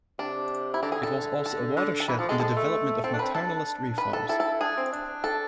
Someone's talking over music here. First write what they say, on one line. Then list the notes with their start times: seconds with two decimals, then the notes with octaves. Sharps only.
It was also a watershed in the development of maternalist reforms.
0.19 C3 D4
0.74 E4
0.82 D3 D4
0.92 G#4
1.03 A4
1.46 A4
1.76 D3
2.00 A4
2.08 E3 B4
2.19 F3 A4
2.29 G#3 A4
2.40 G#3 A4
2.56 A3
3.04 C4 A4
3.13 D4
3.19 C4 B4
3.35 D4 A4
3.98 B4
4.13 A4
4.29 E4 A4
4.40 A4
4.61 D4 G#4
4.78 C4
4.93 D4
5.24 A4